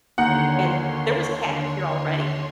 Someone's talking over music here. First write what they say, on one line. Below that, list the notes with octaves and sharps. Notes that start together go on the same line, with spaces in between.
and there was catnip here already
D#2 D3 D#4 C#5 F#5 C6